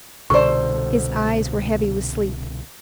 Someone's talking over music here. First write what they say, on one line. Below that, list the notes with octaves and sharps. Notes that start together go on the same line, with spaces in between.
His eyes were heavy with sleep.
C2 B2 D3 A4 C5 D5 C#6